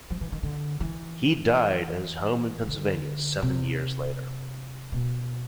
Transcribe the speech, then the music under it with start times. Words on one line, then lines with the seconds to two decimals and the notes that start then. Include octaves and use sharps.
He died at his home in Pennsylvania seven years later.
0.10 F3
0.21 E3
0.32 D#3
0.43 D3
0.80 E3
2.68 D3
3.42 C3
4.92 B2